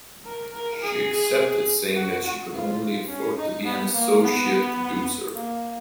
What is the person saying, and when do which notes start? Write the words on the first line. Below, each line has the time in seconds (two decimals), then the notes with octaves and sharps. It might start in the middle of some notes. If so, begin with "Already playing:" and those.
She accepted, saying that she could only "afford" to be an associate producer.
0.26 A#4
0.54 A#4
0.82 G#4
1.95 F#4
2.24 F#4
2.52 F4
3.08 C#4
3.37 D#4
3.65 B3
3.94 A#3
4.21 B3
5.35 A#3